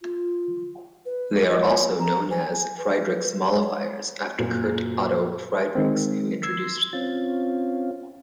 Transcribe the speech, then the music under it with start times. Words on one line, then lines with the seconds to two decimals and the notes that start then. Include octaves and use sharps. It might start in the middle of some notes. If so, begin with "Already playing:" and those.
They are also known as Friedrichs mollifiers after Kurt Otto Friedrichs, who introduced them.
0.02 F4
1.06 B4
1.55 C#5
1.99 A#5
2.31 G#5
2.53 G#5
2.78 B4
3.47 C#5
4.38 F#2 A#2
5.75 D#3 G#3 C4
6.43 C6 E6 G#6
6.93 C4 C#4 F4 A6